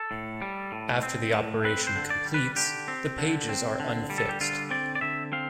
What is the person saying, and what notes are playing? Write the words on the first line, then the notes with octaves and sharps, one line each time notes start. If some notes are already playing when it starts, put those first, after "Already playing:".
After the operation completes, the pages are unfixed.
Already playing: A4
A2
G3
A2
C4
A2
C4 B4
C5
D3
D5
G3
B4
D3 G4
C4
D3
C4
D3
G3
A4
G4
D3 F4
C4 D5
D5
D3 E5
C4 F5